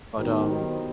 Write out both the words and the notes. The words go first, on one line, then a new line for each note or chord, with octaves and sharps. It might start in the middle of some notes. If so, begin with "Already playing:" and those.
But, um,
D#3 F#3 B3 D#4 G4 C5
F#3 B3 D#4 G4 C5